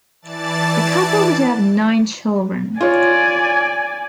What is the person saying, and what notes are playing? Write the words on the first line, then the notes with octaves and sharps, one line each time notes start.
The couple would have nine children.
E3 D5 A5 A6
F4 C#5 D5 G#5